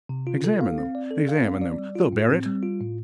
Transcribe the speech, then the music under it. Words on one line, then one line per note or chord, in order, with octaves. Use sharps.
Examine them--examine them--they'll bear it.
C3
F4
A4
F5
C4
D5
A4
F5
C4
D5
G3
F4
A2
C4
G3
F4
A2